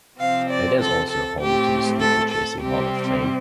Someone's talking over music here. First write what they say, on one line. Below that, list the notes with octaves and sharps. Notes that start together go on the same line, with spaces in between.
It is also home to the Steeplechasing Hall of Fame.
C3 F3 C4 F5
D5
A4
A4
A2 A3 C4 G4
A4
A4
C3 G3 C4 G4